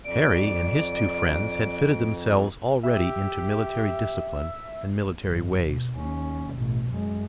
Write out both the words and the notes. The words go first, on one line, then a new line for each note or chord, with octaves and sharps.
Harry and his two friends had fitted themselves already into military discipline and military ways.
F2 D5 D7
G4 E5
G1
B2
D#2 C#4
A1 B2
F#2 G#3